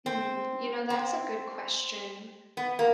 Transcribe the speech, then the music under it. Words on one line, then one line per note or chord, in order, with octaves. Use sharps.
Hmm, you know, that's a good question.
C4
C4
B3
A#3